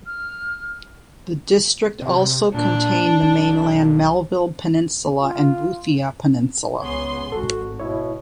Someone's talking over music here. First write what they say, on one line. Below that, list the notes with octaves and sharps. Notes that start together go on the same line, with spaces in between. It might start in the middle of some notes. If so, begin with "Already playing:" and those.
The district also contained the mainland Melville Peninsula and Boothia Peninsula.
F6
C3
A#2 D4
B1
F4
C#2 B3 G#4 C#5 C6
G#1 F#4 A4
B2 E4 C#5